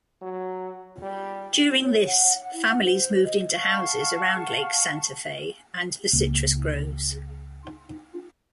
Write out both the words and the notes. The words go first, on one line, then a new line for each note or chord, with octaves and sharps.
During this, families moved into houses around Lake Santa Fe and the citrus groves.
F#3
G3
C#5
F#5
F#5
E4
F#5
C5
D#5
F5 F#5 A5 C#6
C#2 C#3 A#3 C#4